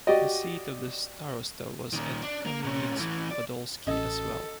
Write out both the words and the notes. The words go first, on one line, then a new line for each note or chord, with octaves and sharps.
The seat of the starosta was at Kamieniec Podolski as well.
F#4 G4 D5 D#5
A#2 D#3
D4
A#3
A#2 C#4
A2 E3
D5
A1 C#4 F#4 A4 D#5